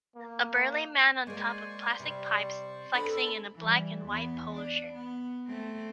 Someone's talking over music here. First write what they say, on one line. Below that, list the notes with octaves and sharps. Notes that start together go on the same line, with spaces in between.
A burly man on top of plastic pipes flexing in a black and white polo shirt.
A#3
G#3 A#3 C5 D5 G#5 C#6
C3 G3
C4 D4 G#4 A4 B4 C5 B5 C#6
E3 G3
E2 B3
D4
B3
A3 C4